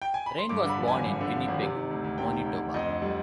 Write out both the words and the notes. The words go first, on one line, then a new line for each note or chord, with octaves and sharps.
Rain was born in Winnipeg, Manitoba.
G5
G#5
B5
C6
G2 D6
D3
B5
F3
G#1 G#5
G2
D3
F3
G#1
C3
D#3
D2
D2
C3 G5
D#3
D2
D2
F2 D#5
D3
G3